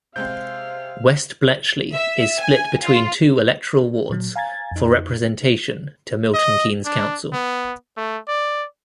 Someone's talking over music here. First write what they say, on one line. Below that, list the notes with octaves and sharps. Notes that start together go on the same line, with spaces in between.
West Bletchley is split between two electoral wards for representation to Milton Keynes Council.
C3 G#3 C4 C5 F5 G6
E5
G#5
F4
A#2 F#3
F5 G#5 A#5 G#6 A6
F2 D#4
D#5
D4
B3
A3
D5